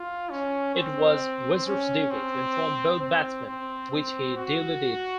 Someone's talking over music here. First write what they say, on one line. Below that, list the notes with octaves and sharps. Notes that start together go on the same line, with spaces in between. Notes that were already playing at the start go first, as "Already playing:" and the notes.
It was Weser's duty to inform both batsmen which he duly did.
Already playing: F4
C#4
C4
C#4
C4
C4
C4
C4
F#4